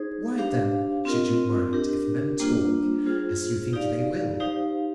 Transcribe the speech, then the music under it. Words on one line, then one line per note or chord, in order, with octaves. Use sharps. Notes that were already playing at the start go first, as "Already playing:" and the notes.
Why then should you mind if men talk as you think they will?
Already playing: D#4 G#4 C5
D4 G4 C5 F5
C4 F4 A#4 D#5
D4 G4 A#4
G3 A#3 D4 F4 C5
F4 G#4 C5
D#4 G4 D5 F5
D#4 G4 C5 F5